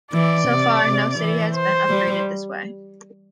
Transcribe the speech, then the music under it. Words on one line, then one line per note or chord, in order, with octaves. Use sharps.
So far no city has been upgraded this way.
E3 D5
C3
C3
E3
C5
G3